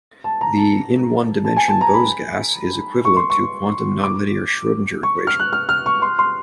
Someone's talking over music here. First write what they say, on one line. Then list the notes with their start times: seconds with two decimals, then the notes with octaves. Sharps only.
The In one dimension Bose gas is equivalent to quantum non-linear Schroedinger equation.
0.24 A5
0.41 A#5
0.57 A5
1.45 A5
1.56 G#5
1.68 A5
1.81 A#5
1.94 B5
3.05 C#6
3.17 C6
3.30 C#6
4.04 D6
5.03 C#6
5.27 F6
5.40 F#6
5.53 F6
5.69 F6
5.86 C#6
6.02 C6
6.19 C6